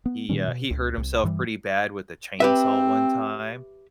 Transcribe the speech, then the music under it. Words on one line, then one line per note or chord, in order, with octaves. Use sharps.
he, uh, he hurt himself pretty bad with a chainsaw one time,
B3
A#2 D#3 G3 C#4
B2
C#2
C2
G2 E3 G3
C4 G4 B4 E5